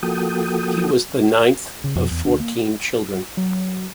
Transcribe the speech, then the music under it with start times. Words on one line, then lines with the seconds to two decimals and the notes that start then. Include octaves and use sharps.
He was the ninth of fourteen children.
0.03 F3 A#3 F#4 A4 G5 D#6
1.84 C#3
1.96 F2 B2
2.11 E2
2.25 D2 D4
2.40 A#3
3.37 F#3